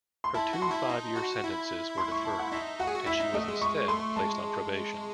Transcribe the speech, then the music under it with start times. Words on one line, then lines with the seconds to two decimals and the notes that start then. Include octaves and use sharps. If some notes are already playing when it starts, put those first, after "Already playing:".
Her two five-year sentences were deferred, and she was instead placed on probation.
0.24 C6
0.34 E4 A5
0.53 F#4
0.62 C6
0.71 E4
0.90 D#4
1.16 F#4
1.44 E4
1.98 C6
2.12 C#6
2.25 A5
2.39 F#5
2.52 D#4 E5
2.80 F#4 F#5
2.87 G#4
2.95 F#4
3.06 E4 E5
3.20 D#4
3.34 A3 D#5
3.48 G#3
3.62 G#3 C#6
3.88 A3 C6
4.16 G#3 A5